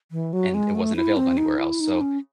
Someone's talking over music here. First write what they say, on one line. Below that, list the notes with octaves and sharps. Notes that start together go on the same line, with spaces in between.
and it wasn't available anywhere else. So,
E3
F#3
G#3
A3
E4
C4
D#4
E4
D#4
C#4